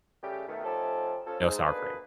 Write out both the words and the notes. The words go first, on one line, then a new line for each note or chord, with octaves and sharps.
No sour cream.
C#3 G3 A3 G4
B2 D#3 A3
F3 A3 C#4 D#4 G4 A4
F3 C#4 A4
G#2
D2 B2 A#3 D4 G#4 B4